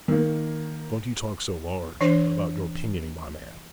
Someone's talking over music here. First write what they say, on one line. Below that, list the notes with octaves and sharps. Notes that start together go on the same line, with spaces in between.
'Don't you talk so large, about your pinioning, my man.
D#3 A#3
E3 D4 C5